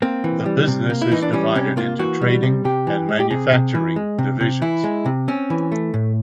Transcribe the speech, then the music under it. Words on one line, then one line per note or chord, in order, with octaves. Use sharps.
The business is divided into trading and manufacturing divisions.
A#3 C4
E3
G3
C3
A#3
E4
E3 D#4
D4
G3 C#4
C3 C#4
A#3 F4
E3 F#4
G3
C3
C3 G4
E3
G#3
G4
C3 G#4
C3
E3
G#3
C3
C3
E3 E4
G#3
C3
C4 C#4
E3
A3
A2